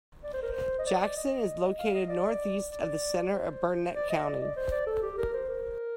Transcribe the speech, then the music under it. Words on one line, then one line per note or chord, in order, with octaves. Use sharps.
Jackson is located northeast of the center of Burnett County.
D5
C5
A#4
C5
D#5
D5
D5
D#5
F5
D#5
D5
D5
C5
D5
D#5
D5
D5
C5
D5
A4
G4
A#4
C5
A#4